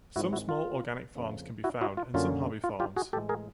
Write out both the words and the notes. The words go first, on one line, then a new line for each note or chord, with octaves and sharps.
Some small organic farms can be found and some hobby farms.
G#2 D#3 G#3 C4 E4 F#4
E4 F#4
F4
F2 C#3 F3 A#3 C#4
E4 F#4
E4 F#4
F4
F#2 D3 F#3 A#3 C#4 F4
F4
F4 G4
F#4 G#4
A2 E3 G#3 G4 A4
G#4 A#4